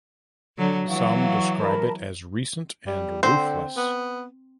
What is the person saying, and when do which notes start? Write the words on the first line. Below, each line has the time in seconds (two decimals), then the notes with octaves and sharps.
Some describe it as "recent" and "roofless".
0.58 D3 F#3
0.88 E3 F#3 F5 F#5 C#6
1.58 A#4 A5 B5
2.87 G3
3.23 D3 C4 C5
3.77 B3